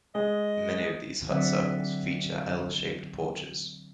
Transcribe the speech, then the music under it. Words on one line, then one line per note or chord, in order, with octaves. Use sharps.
Many of these hut circles feature L-shaped porches.
G#3 D#5
D3 F#3 C4 D5 E5 F#5